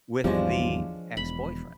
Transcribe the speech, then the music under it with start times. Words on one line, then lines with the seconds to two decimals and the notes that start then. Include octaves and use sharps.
with the ex-boyfriend.
0.24 G#1 E2 F3 G3 G#3 C#4 D4
1.17 E1 B5